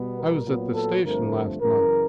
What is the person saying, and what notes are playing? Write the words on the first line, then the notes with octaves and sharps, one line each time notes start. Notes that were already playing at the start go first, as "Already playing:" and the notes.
I was at the station last month.
Already playing: B2 G3 B3
A#4
A#2 F#3 B3
A4
G2 D3 F3 A3 C4 A#4
F#2 C#3 E3 A#4